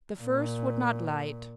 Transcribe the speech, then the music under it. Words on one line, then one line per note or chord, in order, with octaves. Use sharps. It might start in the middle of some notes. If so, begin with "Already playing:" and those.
The first would not light.
A#2